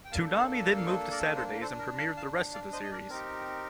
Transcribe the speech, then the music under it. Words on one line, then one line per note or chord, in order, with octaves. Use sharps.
Toonami then moved to Saturdays and premiered the rest of the series.
G5
A#3 D4 A4 F5 A5
F5 A5
F5
C5 D#5
A#4 D5
A4 C5
D4 A4 C5
A#4
F5 A5
F5 A5
D#5 G5
D5 F5
C5 D#5
D#5
A#4 D5
C4 D#4 G4 A#4